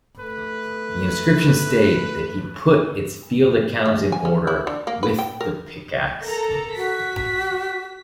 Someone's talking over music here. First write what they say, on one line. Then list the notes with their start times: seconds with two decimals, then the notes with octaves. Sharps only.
The inscriptions state that he "put its field accounts in order" with the pick-axe.
0.20 A3 B4
3.86 G#3
4.12 G#5
4.25 C#4
4.47 E4
4.67 D3
4.87 A#3
5.03 B4
5.19 G5
5.41 A#4
6.24 A4 A#4 A#5
6.76 F#4 B6